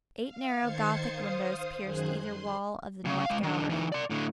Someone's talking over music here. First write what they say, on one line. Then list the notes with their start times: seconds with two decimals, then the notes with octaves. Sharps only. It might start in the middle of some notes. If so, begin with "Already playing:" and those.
Eight narrow Gothic windows pierced either wall of the north gallery.
0.22 F5
0.58 D#3 C5 G#6 A6 C7 C#7
1.05 C5 F5 D#6
1.82 F#2 D#3 G#4 C5 F#6 G#6
2.14 C6
3.05 D2 C#3
3.26 G#3 F5
3.43 D#3 D4
3.69 E3 D#4
3.92 D5 C6
4.10 A2 D3